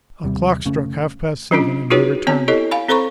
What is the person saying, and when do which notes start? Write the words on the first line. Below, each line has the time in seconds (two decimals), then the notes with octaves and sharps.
A clock struck half-past seven, and he returned.
0.24 D#2 C3 G3
0.65 F1 C#3 A3 C#4
1.51 F#3 C#4 D4 F4
1.90 D#4 F4 F#4 G#4 B4 C#5
2.27 B3 C4 C#5 G#5 A5
2.48 E4 G4 A4 C#5 D#5
2.71 F5 G#5 B5
2.89 C4 A4 C5 A#5 B5 C#6